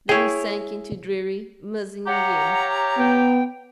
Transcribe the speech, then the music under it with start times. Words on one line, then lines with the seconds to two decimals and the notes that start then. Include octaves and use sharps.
Then he sank into dreary musing again.
0.09 E4 G#4 C#5 G5
2.07 G4 C#5 F5 F#5 A#5
2.97 B3 G5